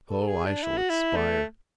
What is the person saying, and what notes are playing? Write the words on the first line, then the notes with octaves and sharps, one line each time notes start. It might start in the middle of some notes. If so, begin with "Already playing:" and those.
O, I shall expire!
A4
G#4
D4
E4
F#4
E4
A3